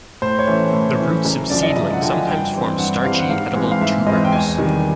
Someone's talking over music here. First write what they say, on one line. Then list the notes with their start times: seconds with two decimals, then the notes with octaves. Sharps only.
The roots of seedlings sometimes form starchy, edible tubers.
0.22 A2 C5
0.39 C#5
0.47 E3 A3 C#4
0.73 A2
0.99 E3 A3 C#4
1.25 F#1
1.50 F#2 D3 F3 D5
1.63 D#5
1.76 F#1 E5
1.93 F#5
2.02 F#2 D3 F3 G5
2.10 G#5
2.27 G2 G5
2.53 E3 G3 C4
2.78 G2 F#5
3.04 E3 G3 C4 F5
3.19 F#5
3.30 G#2 F5
3.55 E3 G#3 C4
3.72 F5
3.81 G#2 E5
4.07 E3 G#3 C4 D#5
4.25 G5
4.32 E2 G#5
4.58 C3 D#3 G3